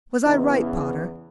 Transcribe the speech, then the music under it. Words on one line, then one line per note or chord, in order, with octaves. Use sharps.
Was I right, pater?
E2 C#3 E3 B3 D#4